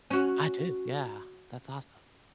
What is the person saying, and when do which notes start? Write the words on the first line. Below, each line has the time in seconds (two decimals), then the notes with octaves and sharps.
I do, yeah, that's awesome.
0.10 C#4 F#4